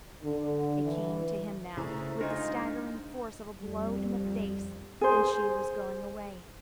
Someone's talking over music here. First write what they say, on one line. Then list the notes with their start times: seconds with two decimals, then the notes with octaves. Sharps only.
It came to him now with the staggering force of a blow in the face--and she was going away.
0.23 D3
0.83 E3
1.77 C#3 A3 E4 C5 A#5
2.21 G#3 D4 D#4 F4 D#5
3.60 F2 G3
5.01 G#4 C5